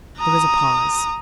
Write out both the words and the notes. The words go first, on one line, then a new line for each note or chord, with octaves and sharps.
There was a pause.
A#5 D#6